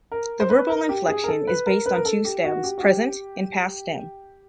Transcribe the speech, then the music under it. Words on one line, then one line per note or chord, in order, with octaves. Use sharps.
The verbal inflection is based on two stems: present and past stem.
A#4
C5
B4
A#4
G4
G#4
A#4
A4
B4
A#4
B4
A#4
A4
G4
F#4
G4
F#4
G4